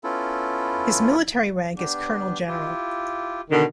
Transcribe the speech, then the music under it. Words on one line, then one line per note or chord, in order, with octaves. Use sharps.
His Military rank is Colonel-General.
B3 C#4 E4 F4 A4
B3 D4 G4
E4 F4 G4
B2 D3 D#3